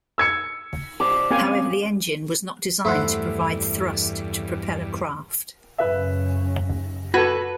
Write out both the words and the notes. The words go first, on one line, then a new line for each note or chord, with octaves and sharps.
However, the engine was not designed to provide thrust to propel a craft.
E6 G#6 C#7
D4 G4 C5 D6
A#3 C4 C#4 G4 F5 G#5
E2 G2 A3 E4 C5 F#5
F#2 C#3 C#4 B4 E5
F#4 A4 B4 G#6